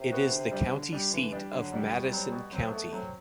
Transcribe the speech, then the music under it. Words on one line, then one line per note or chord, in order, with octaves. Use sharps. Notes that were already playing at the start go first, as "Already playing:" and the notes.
It is the county seat of Madison County.
Already playing: C3
B3 F#4
D3
G3 D4 G4
D3
G3 D4 G4
D3 E3
G3 D4 G4
D3 F#3
G3 D4 G4
B2 G3
F#3 C4
B2
F#3 C4
B2 A3
F#3 C4